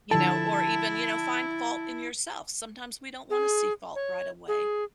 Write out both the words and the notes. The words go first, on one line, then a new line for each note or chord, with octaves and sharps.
you know, or even, you know, find fault in yourself. Sometimes we don't wanna see fault right away,
D3 F3 E4 A4 A5
G#4
C#5
G#4